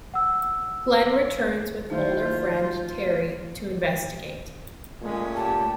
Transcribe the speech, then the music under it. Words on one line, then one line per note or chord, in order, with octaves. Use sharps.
Glen returns with older friend Terry to investigate.
F#5 E6
D#3 F#3 A3 E4 F4 C5
A#2 G#3 A3 C#4
G4 A5